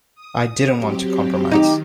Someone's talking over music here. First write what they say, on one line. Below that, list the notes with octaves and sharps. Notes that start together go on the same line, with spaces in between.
I didn't want to compromise.
D#6
F#3 C4 G4
D#3 D#4 F#4 G4